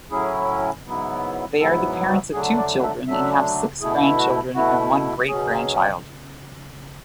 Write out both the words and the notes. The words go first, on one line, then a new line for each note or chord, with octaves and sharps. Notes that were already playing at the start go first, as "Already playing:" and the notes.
They are the parents of two children and have six grandchildren and one great-grandchild.
A2 F#3 C#4 E4 G#4
G#2 F#3 B3 E4
G#2 F#3 B3 E4 A4
F#4
D3 F#3 A3 D4 G#4
D5
E5
D3 F#3 A3 D4 E5
B2 A3 E4 G#4
F#4
B2 A3 E4 F#4
B2 F#3 C#4 G#4